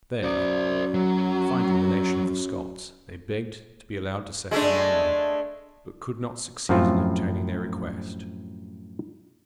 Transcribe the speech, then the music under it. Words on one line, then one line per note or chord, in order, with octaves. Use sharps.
There, finding the nation of the Scots, they begged to be allowed to settle among them, but could not succeed in obtaining their request.
F#2 C5 D5
F#3
G#3 A3 D4
F#2 A2 F3 C4 F4